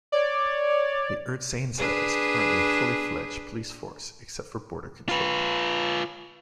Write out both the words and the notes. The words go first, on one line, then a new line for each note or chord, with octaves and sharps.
The Ertzaintza is currently a fully-fledged police force, except for border control.
C#5 D5
D4 G#4 B4
F4 B4